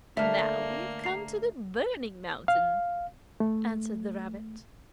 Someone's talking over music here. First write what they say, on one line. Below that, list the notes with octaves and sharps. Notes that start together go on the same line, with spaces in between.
"Now we have come to the 'Burning Mountain,'" answered the rabbit.
D3 A3 A#3 E5 A5 F6
A#5 C7
F5
A3